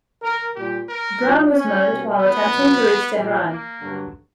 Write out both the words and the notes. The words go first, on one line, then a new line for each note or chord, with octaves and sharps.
Browne was murdered while attempting to reach Tehran.
A#4
A#2 G3 G4
A#4
A#2 F#3
C#4
B2 G3
B3
B2 F#3
A#2 G3
A#3
G2 D3 F#3